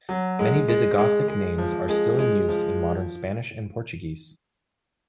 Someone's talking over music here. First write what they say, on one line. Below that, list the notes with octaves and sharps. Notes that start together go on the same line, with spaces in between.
Many Visigothic names are still in use in modern Spanish and Portuguese.
F#3
G#3
G#3
G#3
G#3
F3
G#3
G#3
F3